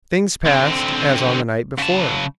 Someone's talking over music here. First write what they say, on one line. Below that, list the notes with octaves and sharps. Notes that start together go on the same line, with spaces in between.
Things passed as on the night before.
D3 C4
C#3 A5